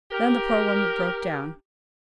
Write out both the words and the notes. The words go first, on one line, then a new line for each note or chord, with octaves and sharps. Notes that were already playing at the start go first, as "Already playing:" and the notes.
Then the poor woman broke down.
G4 A#4